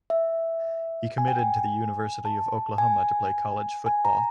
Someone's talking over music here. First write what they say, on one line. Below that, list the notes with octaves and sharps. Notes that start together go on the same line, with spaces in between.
He committed to the University of Oklahoma to play college football.
E5
G#5
G5
G#5
A5
G#5
G#5
A#5